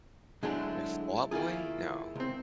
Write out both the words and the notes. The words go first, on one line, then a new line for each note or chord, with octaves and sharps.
Like Fallout Boy? No.
D3 F#3 G#3 A3 D4 E4
D#3 A#3 E4 F4 G#4
C#2 C4